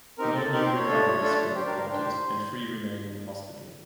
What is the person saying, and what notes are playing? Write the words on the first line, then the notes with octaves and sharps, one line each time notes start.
No new recoveries were reported and three remain in hospital.
C4 D#4 G4 A#4
A4
C4 D#4 G4 A#4
C5
C#5
A3 D4 F4 A4
A3 D4 F4 A4
G4 C5
D4
A#4
A#4
D4 G4 C5